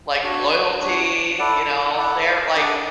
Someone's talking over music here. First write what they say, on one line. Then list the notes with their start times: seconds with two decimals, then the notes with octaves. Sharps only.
like, loyalty, you know, they're, like,
0.23 D4 F#4 C#5
0.81 D4 F#4 C#5
1.39 E4 A4 D5 F#5
1.96 E4 A4 D5 F#5
2.55 D4 G#4 D5 F#5